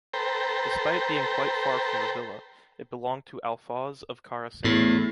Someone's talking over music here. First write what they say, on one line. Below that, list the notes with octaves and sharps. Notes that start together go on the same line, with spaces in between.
Despite being quite far from the Villa, it belonged to Alfoz of Caracena.
A4 B4 C5 G5 A#5
E2 A2